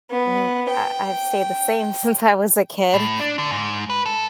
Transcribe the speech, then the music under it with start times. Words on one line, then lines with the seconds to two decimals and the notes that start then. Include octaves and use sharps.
mhm, I I've stayed the same since I was a kid,
0.10 B3
0.70 G5
2.94 A2
3.20 D4
3.39 D3
3.51 G#2
3.90 B4
4.06 A4